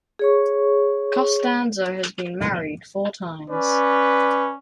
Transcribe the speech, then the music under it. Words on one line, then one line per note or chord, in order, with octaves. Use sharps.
Costanzo has been married four times.
G#4 C#5 C#6
C#4 B4 D5